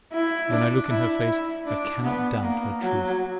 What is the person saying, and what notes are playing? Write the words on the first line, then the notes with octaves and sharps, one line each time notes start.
When I look in her face, I cannot doubt her truth!
E4
D4
E4
E4
D4
B3
A#3
F#3